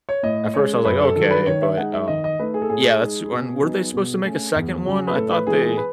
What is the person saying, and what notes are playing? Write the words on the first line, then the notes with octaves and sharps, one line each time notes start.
at first I was like, okay, but um yeah, that's when weren't they supposed to make a second one? I thought they
C#5
A2 D#5
G#3 C#4 C#5
F#2 B4
A4
D#3 F#3 A4
B4
D#3 C#5
E5
G#3 D#4 F#5
E5
D#3 D#5
D#5
A3 D#4 B4
G#4
A4
A2 G#4
G#3 D#4
B2
F#3 B3 D#4
B2
A3 C#4
E2
C#3 F#3 C#4
B4
A2 A4
B4
E3 G#3 B3 G#4
G#4
B4